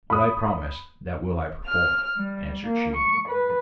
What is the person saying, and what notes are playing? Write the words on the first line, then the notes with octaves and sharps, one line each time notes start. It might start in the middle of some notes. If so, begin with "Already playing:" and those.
'What I promised that will I perform,' answered she.
B5 D#6
F6
G3
A#3
C#6
B4